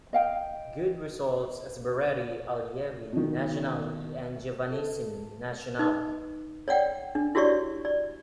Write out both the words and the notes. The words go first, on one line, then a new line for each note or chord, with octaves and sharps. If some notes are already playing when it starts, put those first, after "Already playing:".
Good results as Berretti, Allievi Nazionali and Giovanissimi Nazionali.
D#5 F5 G5
B2 D#3
A4
D#4 B4 D#5
C#5 D5 F#5 G5
D4
E4 F#4 G4 C#5 D5 C#6
D5